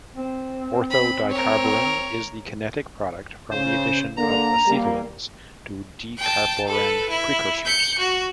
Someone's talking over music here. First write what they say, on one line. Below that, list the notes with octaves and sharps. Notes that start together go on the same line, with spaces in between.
Ortho dicarborane is the kinetic product from the addition of acetylenes to decarborane precursors.
C4
B5
A#4 C#5
C#3 C5
D3 A#3 A#5
G3 A#3
G5 A5
A4 B4
E4
G6 C#7
F#4